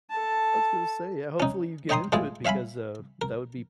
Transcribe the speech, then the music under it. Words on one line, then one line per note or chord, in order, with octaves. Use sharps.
I was gonna say, yeah, hopefully, you get into it because, uh, that would be
A4 A5
C#4 D#4
C#5 D#5 G5 A#5 C6 D#6
A2 G#3 E4 F4 G#4
C#5 E5 F5 G#5 B5
A#4